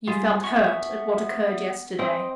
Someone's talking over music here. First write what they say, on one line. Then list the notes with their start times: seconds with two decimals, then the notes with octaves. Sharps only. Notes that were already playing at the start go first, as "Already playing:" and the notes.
You felt hurt at what occurred yesterday!
0.07 G3 F4 G#4
0.44 B3 E5 C#6
1.99 C4 D#5 G5 D#6